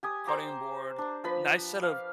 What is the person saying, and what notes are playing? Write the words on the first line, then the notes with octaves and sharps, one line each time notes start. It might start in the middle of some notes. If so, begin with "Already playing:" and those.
cutting board, nice set of
G4 G#5 D#6
C5 A#5 D6
D4
F3 B4 B5
F5